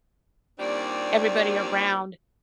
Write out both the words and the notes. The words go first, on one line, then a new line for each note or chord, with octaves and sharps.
everybody around,
D#2 A#2 G3 C4 D4 D5